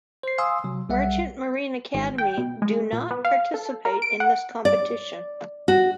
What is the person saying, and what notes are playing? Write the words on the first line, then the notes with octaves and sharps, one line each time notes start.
Merchant Marine Academy - do not participate in this competition.
C5 C7
F5 G#5 C6 D#6 E6
C3 F#3
B1 G3 E5 F#5
G#1
G5
B2
G#3
A#2
B3
F5
A4
A#4
D7
F#5
D5
F#4